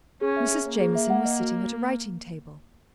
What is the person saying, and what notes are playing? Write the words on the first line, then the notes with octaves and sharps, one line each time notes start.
Mrs. Jameson was sitting at a writing-table.
C#4 G#4
E5
G#4
A#3 C#5
G#4
E5
F#5
D#5
F#4